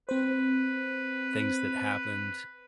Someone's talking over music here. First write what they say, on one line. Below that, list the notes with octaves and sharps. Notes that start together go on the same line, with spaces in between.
things that happened.
C4 B4 C5